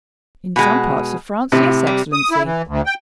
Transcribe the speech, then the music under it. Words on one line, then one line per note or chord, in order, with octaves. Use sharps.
"In some parts of France--yes, excellency."
B2 G#3
A2 C3
G3
D#6
E4
E3
D2
G5